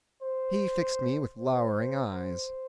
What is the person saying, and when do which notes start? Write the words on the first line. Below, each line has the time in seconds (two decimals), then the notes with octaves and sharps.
He fixed me with lowering eyes.
0.22 C5
1.37 C5
2.12 C5